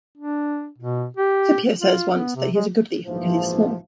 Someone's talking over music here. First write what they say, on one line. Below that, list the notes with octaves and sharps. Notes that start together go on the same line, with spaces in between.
Scipio says once that he is a good thief because he is small.
D4
B2
G4
F4
B3
C3
G#3
A#1 G#2 C3 E3 F3